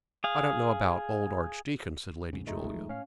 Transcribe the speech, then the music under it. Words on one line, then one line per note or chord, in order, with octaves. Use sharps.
"I don't know about old archdeacon," said Lady Julia.
G#4 F5
B1 G#2 C#3
G#3 A3 D#4
F1 C2 A#2
D#2 F3
A2 C#4 F5